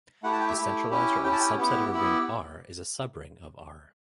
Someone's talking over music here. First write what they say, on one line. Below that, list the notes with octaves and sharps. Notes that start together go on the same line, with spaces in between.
The centralizer of a subset of a ring "R" is a subring of "R".
A3 E4 G4 F#5
A5
G5
E5
A3 E4 G4
C#4 E4 G4
C#4 E4 G4 G5
A5
G5
B3 E4 G4
B3 E4 G4